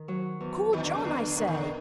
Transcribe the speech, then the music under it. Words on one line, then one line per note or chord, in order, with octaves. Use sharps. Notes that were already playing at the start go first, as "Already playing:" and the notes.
Call John, I say!'
Already playing: D#3
F#3
E2
E2 D#3
D3
C#3
E2 D3
A#2 D3
D#3
D3